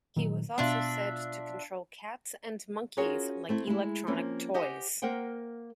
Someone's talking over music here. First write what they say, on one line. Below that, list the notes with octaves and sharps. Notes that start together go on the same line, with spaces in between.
He was also said to control cats and monkeys like electronic toys.
A#2 D#3 F#3
B2 B3 D4 F4 E5
C#4 F4 F#4 G#4 A#4 C#5
A3 C4 E4
G#3 E4
F3 A#3 C4 C#4
G4 C5 D#5 F#5 G#5
A#3 A#4 C5 F#5 G5